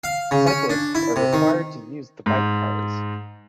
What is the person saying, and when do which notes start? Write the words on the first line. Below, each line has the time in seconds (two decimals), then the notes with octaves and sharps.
Cyclists are required to use the bike cars.
0.04 F5
0.31 C#3
0.47 C#4
0.70 D4
0.95 E4
1.16 C3
1.33 D#3
2.26 G#2